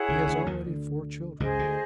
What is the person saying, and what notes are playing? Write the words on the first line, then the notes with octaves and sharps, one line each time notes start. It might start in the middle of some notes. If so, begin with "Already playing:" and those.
He has already four children.
Already playing: E4 G#4 C#5 F#5
C#2 C#3
D2 D3
D#2 D#3
D2 D3
C#2 C#3 G#4 C5 D#5
D2 D3